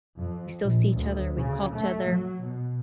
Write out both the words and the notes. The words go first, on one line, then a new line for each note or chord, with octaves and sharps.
We still see each other, we call each other,
F2
A#1
D2
C#3
A3
F#3
B2